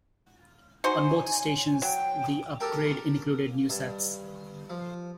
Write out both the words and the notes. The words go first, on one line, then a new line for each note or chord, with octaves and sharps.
On both stations, the upgrade included new sets.
D#4 F#4 C5 G#5
F#3 G5
G4 A4 A#4 G5
G2
F3